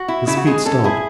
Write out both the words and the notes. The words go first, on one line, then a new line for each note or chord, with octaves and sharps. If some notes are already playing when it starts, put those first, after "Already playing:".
His feet stopped.
Already playing: F#4
E4
C#3 E4
F#4
G#3 G#4
C#4 A4
E4 G#4